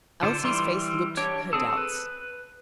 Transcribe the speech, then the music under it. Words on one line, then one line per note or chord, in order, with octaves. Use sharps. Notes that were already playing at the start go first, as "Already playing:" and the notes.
Elsie's face looked her doubts.
D3 F4 C5
E3 G3 C6
D4 G4 C#5
C4 G#4 A4
B4